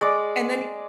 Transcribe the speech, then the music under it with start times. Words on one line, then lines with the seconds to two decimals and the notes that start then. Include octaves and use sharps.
And then he
0.01 G#3 D5 D6